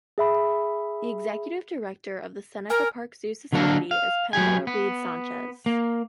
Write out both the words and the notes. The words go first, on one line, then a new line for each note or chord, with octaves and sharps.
The executive director of the Seneca Park Zoo Society is Pamela Reed Sanchez.
G#4 E5 B5
A#4 G#5 F6
D3 F#3 A#3 D4 A4 A#4
F5
F#3 B3 G4 G#5
B3
A#3